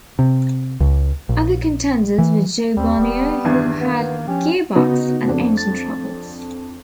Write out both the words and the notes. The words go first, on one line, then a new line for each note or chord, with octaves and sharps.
Other contenders were Jo Bonnier, who had gearbox and engine troubles.
C3
C#2
A#1
E3
D#2 G3 C4
E1 B3
E2 G2 D#3
A#3 B3
F3 C#4 G4
C#3 B3 D#4 F#4
F2 D4
A6